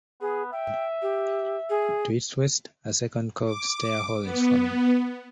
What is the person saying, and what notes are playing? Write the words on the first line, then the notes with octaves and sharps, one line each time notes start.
To its west, a second cove, Stair Hole, is forming.
B3 G#4
E5 G5
G4
G#4
D6
B3